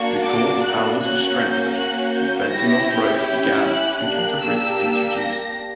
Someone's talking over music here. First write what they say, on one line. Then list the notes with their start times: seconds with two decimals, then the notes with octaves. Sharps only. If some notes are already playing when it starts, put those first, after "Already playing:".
The Court's powers were strengthened, and fencing of roads began and cattle grids introduced.
Already playing: A#3 D4 F#4 C#6
0.24 D6
0.62 F#6
1.00 A#3 C#4 F#4 F#6
1.39 G6
1.77 F#6
2.14 G6
2.52 C#4 E4 G4 A#6
2.91 G6
3.29 G6
3.67 F#6
4.05 A#3 D4 G4
4.42 E6
5.19 A#6